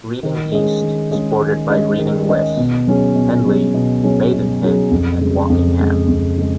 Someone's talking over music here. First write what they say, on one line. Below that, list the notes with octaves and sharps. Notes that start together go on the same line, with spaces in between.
Reading East is bordered by Reading West, Henley, Maidenhead, and Wokingham.
D#3
G#3 C#4 G#4 D#5
D#3
G#3 C#4 G#4 D#5
D#3
G#3 C#4 G#4 D#5
D#3
G#3 C#4 G#4 D#5
B2
F#3 C#4 G#4
B2
F#3 C#4 G#4
B2
F#3 C#4 G#4
B2
F#3 C#4 G#4
F2
C#3 G#3
F2
C#3 G#3
F2
C#3 G#3